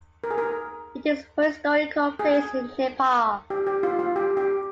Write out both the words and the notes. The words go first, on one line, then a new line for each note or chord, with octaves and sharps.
It is historical place in Nepal.
A#4
G#4
A#4
G#4
G4
G4
F4
F4
G4
G4